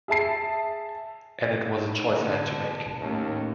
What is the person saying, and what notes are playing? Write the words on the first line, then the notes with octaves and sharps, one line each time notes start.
And it was a choice I had to make.
G#4 E5 A5 C7
D3 B3 A5
D#2 A2 C#4